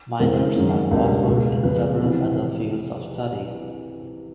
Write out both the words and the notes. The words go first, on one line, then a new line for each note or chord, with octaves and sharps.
Minors are offered in several other fields of study.
F2 C#3 E3 G#3 C4 A#4
F#2 D#3 G#3 C#4
C#2 B2 G3 A#3 D4
C#2 B2 G#3
F2 C#3 F3 B4
C3 E3